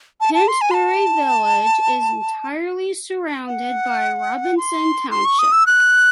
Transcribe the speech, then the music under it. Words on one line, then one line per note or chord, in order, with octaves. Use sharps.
Pennsbury Village is entirely surrounded by Robinson Township.
A5
A5
C6
G#5
C6
A5
F#5
C6
C6
C#6
D#6
E6
F#6